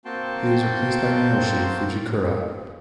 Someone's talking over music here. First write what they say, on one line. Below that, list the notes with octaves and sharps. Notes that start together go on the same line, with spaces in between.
He was replaced by Naoshi Fujikura.
A#3 C4 F#4 G5 A5 C6